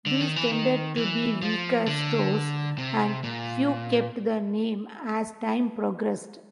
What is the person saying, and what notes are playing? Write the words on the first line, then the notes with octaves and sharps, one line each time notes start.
These tended to be weaker stores, and few kept the name as time progressed.
D3
D#3
E3
D#3
E3
F3
D3
C3
A#2